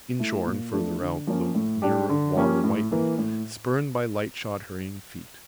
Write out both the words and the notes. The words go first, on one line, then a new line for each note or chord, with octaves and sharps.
Inshore and farther out the mirror of water whitened, spurned by lightshod hurrying feet.
A3 E4
A#2
F3 A3 D4 A4
D3
F3 A#3 C#4 F4
A2
G3 D4 G4
D3
F3 A#3 C#4 G4
A2
E3 A#3
A2